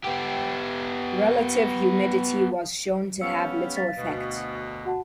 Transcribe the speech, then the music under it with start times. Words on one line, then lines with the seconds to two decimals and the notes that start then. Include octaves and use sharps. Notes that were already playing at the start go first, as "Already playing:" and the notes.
Relative humidity was shown to have little effect.
0.04 B3 G4
3.21 G3 B3 C#4 F5 E6 C#7
3.76 F5 A6 B6
3.96 D2 B2
4.85 F#4 F#5 A5